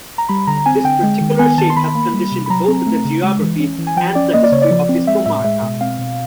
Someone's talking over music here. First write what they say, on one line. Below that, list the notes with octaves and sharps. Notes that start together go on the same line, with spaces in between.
This particular shape has conditioned both the geography and the history of this "comarca".
A#5
G3 B5
D3 A#5
C4 G#5
D3 G5
G#3
D#3
B3 G#5
D#3 A5
C6
D#3 B5
A#3
G3
C3
B5
F#3 A#5
C4
A3
C#3
G#3
E3
C#4
E3
G#5
F3 G5
C#4 D5
A#3 D#5
D5
C#3 C#5
D5
F3
C4
G#3 E5
A2 E5
G#3 E5
B2
C4 F5
B2